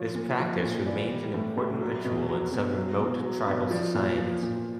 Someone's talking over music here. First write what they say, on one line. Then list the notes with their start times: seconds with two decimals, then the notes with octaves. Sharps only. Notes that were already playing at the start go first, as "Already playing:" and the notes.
This practice remains an important ritual in some remote, tribal societies.
Already playing: F3 C#5
0.15 A#2
0.40 F3
0.63 A#2
0.87 E3 D5
1.11 G3
1.34 A2
1.58 A2
1.81 F#3
2.05 B2
2.29 F#3
2.53 B2
2.76 F#3
3.00 B2
3.23 F#3
3.47 B2
3.71 F3 D5
3.95 A#2
4.18 F3
4.42 A#2